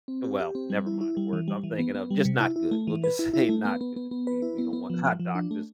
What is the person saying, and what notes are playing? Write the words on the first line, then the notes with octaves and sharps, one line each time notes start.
well never mind the words I'm thinking of just not good. We'll just say not good. We we don't want, our doctors
C4
G4
G4
C4
G3
E4
E4
G3
E3
G3
E3
B3
B3
G3
C3
E4
E4
A3
E3
B4
E4
E4
A3
B3
B3
B3
B3
B4
E4
B3
B3
F3
F3
F3
D4
A3